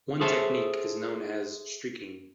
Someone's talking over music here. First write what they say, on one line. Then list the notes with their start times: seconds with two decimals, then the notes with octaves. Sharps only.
One technique is known as "streaking".
0.21 G#4 A4 C5 C#5 E5 A5